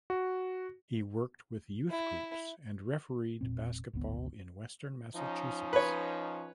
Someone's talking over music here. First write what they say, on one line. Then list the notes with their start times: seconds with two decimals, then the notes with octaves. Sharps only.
He worked with youth groups and refereed basketball in western Massachusetts.
0.10 F#4
1.90 E4
3.41 E1 A#2 C4
3.93 G#1 D2 B3
5.15 F3 C#4 D#4
5.73 B4 C#5